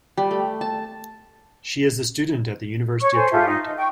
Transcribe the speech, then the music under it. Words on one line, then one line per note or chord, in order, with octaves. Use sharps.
She is a student at the University of Toronto.
G3
A3
A5
C#5 C#6
A4 C5 G#5
F4 G4 A4 E5
D#4
D#5
G5 C#6